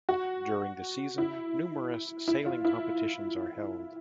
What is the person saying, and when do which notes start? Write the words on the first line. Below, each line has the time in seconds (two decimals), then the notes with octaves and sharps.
During the season numerous sailing competitions are held.
0.09 F#4
1.18 E4
2.28 E4
2.46 F4
2.65 E4